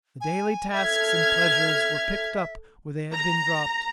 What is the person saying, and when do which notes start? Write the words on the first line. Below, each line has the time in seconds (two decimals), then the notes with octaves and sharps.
The daily tasks and pleasures were picked up where they had been dropped.
0.21 G#5
0.73 A4 E5 F6 G#6
3.12 A#5